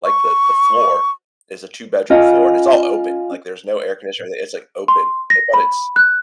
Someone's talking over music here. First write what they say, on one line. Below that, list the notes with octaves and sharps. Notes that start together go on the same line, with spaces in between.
like, the the floor is a two bedroom floor, and it's all open. Like, there's no air conditioner or a it's, like, open, eh, but it's
C#6
C#4 F4 D#5
C6
A#6
B5
F#6